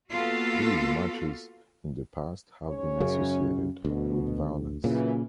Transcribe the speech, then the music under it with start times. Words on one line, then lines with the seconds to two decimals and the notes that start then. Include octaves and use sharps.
These matches in the past have been associated with violence.
0.12 A#3 B3 F4 F#4 A4 F5
2.68 G#2 C#4 C#5
3.00 F#2 C#3
3.85 D2 B2
4.84 F#2 A#2 C#3 E3